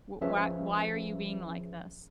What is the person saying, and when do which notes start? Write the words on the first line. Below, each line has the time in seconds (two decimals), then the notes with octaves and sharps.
Wh why why are you being like this?"
0.21 F3 C#4 G#4 B4 E5